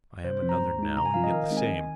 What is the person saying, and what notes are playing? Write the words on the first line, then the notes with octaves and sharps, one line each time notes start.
I am another now and yet the same.
C3 C5
C5
F3 C4
A#5
G#2
G#3 D#4
C3 A#5
G#5
F3 C4 F4 F5
D#5
D#3 A#4
D#5
G#3 C4 D#4
G#5
D#3